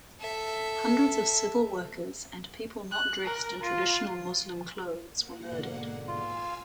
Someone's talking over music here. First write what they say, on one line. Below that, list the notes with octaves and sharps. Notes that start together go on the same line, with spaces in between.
Hundreds of civil workers and people not dressed in traditional Muslim clothes were murdered.
A4 E5
F#6
A#4
F4
A#3 F#5
G#2 B2 D3
F4 F5 G#5 E6